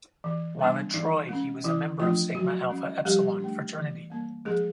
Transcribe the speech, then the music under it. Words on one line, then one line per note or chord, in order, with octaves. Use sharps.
While at Troy, he was a member of Sigma Alpha Epsilon fraternity.
E3
G3 B3 D4
E3 D#4
G#3 C#4
E3 E4
F3 A3 D4 F4
F3 F#3 F#4
G#3 C#4
F3 G3 G4
A3 D4
E3
G3 A#3
F3 G#3 G#4